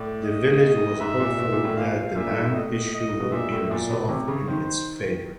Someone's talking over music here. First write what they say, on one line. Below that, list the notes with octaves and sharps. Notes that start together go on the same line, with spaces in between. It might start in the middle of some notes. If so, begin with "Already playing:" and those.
The village was hopeful that the land issue would be resolved in its favour.
Already playing: A2 D5
D#5
G#2 E5
A#2
B2
A#2
A2
A#2 F5
A#2 E5
A2
G#2
A2 D#5
D#5
B2
A#2 E5
A2
A#2 D5
B2
C3 C#5
C#3
D#3 C5